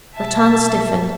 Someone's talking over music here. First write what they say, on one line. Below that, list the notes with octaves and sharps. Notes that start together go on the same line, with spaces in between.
Her tongue stiffened.
B1 E5 A5